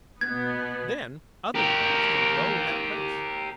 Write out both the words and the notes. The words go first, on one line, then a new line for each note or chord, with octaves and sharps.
Then other plants can grow in that place.
B2 B3 G#6
G4 A#4